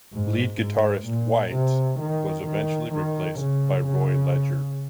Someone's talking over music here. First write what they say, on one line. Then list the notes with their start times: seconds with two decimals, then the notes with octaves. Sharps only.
Lead guitarist White was eventually replaced by Roy Ledger.
0.13 G#2
0.60 G#2
1.06 A#2
1.53 C3
2.00 D#3
2.46 D#3
2.93 D#3
3.39 C#3
3.86 C#3